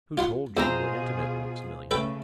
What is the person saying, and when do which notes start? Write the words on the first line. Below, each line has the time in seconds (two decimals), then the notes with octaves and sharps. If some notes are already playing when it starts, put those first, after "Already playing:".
"Who told you we were intimate, Maximilian?"
0.17 F4 F#5 C6
0.57 E2 B2 C4 F4 G#4 C5 A#5
1.91 C#3 A3 A4 B4 G5